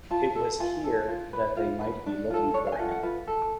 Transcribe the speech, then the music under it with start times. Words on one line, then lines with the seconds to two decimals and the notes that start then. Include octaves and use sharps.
It was here that they might be looking for him.
0.11 F4 A5
0.36 A4
0.60 F4 G#5
0.84 A4
1.08 F4
1.33 B4
1.56 F4 F5
1.81 B4
2.06 D4
2.30 F4 A4
2.54 D4 C#5
2.67 F5
2.72 G#5
2.79 F4 A4 F#5
2.91 F#5
3.03 F4 B4
3.28 A4